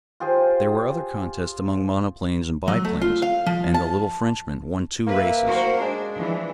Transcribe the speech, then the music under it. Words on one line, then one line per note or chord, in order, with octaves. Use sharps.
There were other contests among monoplanes and biplanes, and the little Frenchman won two races.
F4 G4 G#4 C5
F#3
A3
F4
F5
F3
A5
A#3 B4 E5
F#4 A#4 C5
G#3 D4
E3 F3 D4